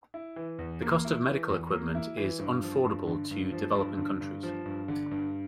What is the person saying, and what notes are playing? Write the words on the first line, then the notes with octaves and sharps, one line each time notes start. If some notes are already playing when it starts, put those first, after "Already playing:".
The cost of Medical equipment is unfordable to developing countries.
E4
E3
E2
A#3
E4
E3
E2
A#3
E4
E3
G2
F3
G2
D3
G2
F3
G2
D3
G2
F3
G2
D3
G2